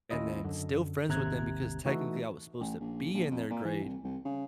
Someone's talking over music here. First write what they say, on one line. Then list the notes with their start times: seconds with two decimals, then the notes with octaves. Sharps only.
and then still friends with them because technically I was supposed to be in their grade,
0.11 D#2 C#4 E4 F4 D#5
0.44 F#2 D3
1.08 G#1 D#2 C3 A#5 F#6 G#6
1.86 E3 A3 D#4 F#4
2.60 A1
2.80 A#1
3.14 A#1
3.31 F2
3.51 A#2
3.65 E3
3.84 C2
4.04 C2
4.25 C#3